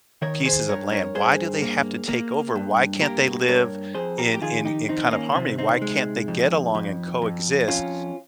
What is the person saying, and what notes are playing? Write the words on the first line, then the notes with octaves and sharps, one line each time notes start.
pieces of land? Why do they have to take over? Why can't they live in in in kind of harmony? Why can't they get along and coexist?
D#3 A#4 C#5
G#4 C5
G2 A#4 C#5
A#4 C#5
G2 G#4 C5
A#3
A#3
G2
A#3 G4 A#4
G2 A#4 C#5
F2 G#4 C5
G4 A#4
G4
D#3 F4 G#4
D#4 G4
D#3 C4 D#4
A#3 C#4
C3 C4
C4 D#4
G#3
F2
F2
F2
F2 C#4 F4